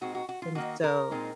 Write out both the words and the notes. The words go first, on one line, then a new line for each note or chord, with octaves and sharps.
And so,
A#2 G#3 C4 D#4 F#4
F#4
F#4
F4
D#3 A#3 D#4 F#4
A#4
A#2 G#3 C4 D#4